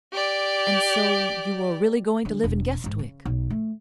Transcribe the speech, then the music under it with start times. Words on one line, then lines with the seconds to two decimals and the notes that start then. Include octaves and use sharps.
"And so you are really going to live in Guestwick?"
0.12 G4 D5
2.25 D3 F#3
2.44 E1
2.84 A1 G#2
2.99 C#3
3.25 B1
3.50 A3